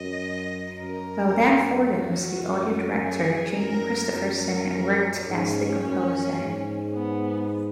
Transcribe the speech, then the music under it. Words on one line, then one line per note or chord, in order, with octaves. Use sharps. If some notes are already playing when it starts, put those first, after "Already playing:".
While Dan Forden was the audio director, Jamie Christopherson worked as the composer.
Already playing: F#2 D#5
F#2 A#4
F#4
F#2
G#4
F#2 A#4
F#2 A#4
G#2 C#4
F#2
G#2
B3